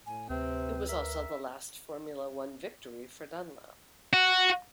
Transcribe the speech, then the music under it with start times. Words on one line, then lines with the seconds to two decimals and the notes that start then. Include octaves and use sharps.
It was also the last Formula One victory for Dunlop.
0.06 A2 G#5
0.30 D2 C3 C4 B4
0.89 A#4 E5
4.13 F#4